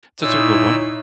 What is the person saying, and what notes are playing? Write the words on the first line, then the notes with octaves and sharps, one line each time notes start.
That's a good one.
A#2 D#4 E4 C#5 E6